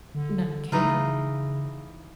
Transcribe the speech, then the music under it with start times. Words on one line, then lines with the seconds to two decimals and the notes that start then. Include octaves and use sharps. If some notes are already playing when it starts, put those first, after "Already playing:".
None came.
0.15 D3
0.72 C#3 E3 D#4 F4